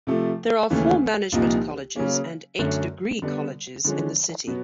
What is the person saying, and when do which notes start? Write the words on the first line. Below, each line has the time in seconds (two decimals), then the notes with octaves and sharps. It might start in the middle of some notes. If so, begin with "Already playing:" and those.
There are four management colleges and eight degree colleges in the city.
0.07 C3 F3 A3
0.70 D#2 C#3 E3 A3
1.32 C2 A#2 F3 A#3 D#4
1.96 C#3 F#3 A#3 C#4
2.59 F#2 D3 F#3 A3 C#4
3.22 D3 G3 B3 D4
3.84 D3 F3 G#3 C#4
4.47 B2 F#3 B3